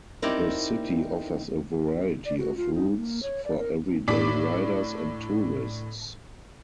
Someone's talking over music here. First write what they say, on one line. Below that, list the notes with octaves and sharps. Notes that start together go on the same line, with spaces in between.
The city offers a variety of routes for everyday riders and tourists.
C4 D#4 E4 G4 A#4 D5
D5
F#4
F4
D#4
A#3
C#5
D5
A#4
A2 D4 D6 B6